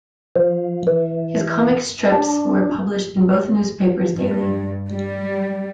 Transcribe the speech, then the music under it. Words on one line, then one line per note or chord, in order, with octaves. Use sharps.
His comic strips were published in both newspapers daily.
F3
E3
D4
G2
G3